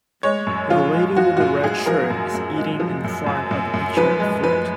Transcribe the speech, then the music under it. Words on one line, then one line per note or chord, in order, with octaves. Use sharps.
The lady with the red shirt is eating in front of the picture of fruit.
G#3 C#5
F#2
F3 F4
G#3
F3 F#4
F#4
F#2 F4
F#2 G#4
F3 A#4
F#2
F#2
G#3
F3
F#2
F#2
F#2
F#2
F3 B4
G#3
F3 B4